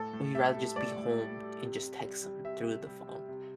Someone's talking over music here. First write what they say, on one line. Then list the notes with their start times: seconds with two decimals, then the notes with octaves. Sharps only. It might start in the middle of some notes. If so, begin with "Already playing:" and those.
would you rather just be home and just text 'em through the phone?
Already playing: A2 A4
0.13 A2
0.35 G3 E5
0.56 G3
0.76 A2 D5
0.97 A2
1.18 G3
1.40 G3
1.61 C3
1.82 C3
2.03 G3
2.23 G3
2.45 C3 E5
2.66 C3
2.86 G3
3.07 G3
3.28 C3